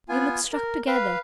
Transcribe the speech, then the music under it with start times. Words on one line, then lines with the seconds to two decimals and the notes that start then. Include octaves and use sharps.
You look struck together.
0.09 B3 F4 G#5
0.52 A#4
0.87 B4 F5